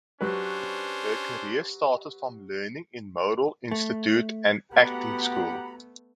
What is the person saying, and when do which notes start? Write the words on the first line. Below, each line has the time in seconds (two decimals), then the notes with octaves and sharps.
Her career started from learning in Model Institute and Acting School.
0.21 F#3 C#4 D4 G4 B4 C5
3.71 A3
4.72 A3 B3 F#4 G4 F#5 A#5 B5